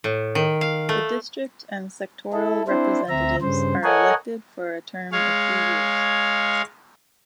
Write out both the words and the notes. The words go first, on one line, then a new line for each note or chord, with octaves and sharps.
The district and sectoral representatives are elected for a term of three years.
A2
D#3
F5
A3
E4 A4
C4 D4 E4 C5
D2 C4 E5 A#5
G2 C#3 C5
A4 A#4 C#5 D#5 F#5 G#5
G#3 C#5 F5